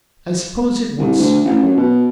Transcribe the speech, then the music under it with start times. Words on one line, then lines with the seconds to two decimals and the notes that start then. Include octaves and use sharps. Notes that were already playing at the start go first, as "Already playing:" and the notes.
'I suppose it would, sir.
0.98 C2
1.19 D2
1.45 A1
1.62 F#2
1.77 B2